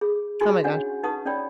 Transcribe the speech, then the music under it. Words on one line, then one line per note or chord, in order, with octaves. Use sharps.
Oh my gosh.
G#4
D#4 F#4 G#4 G#5 C6 C#6
C#4 D4 C#5 F#5 G#5
D#4 B4 F#5 A5 C#6 D#6
C#4 C#5 D5 G5 B5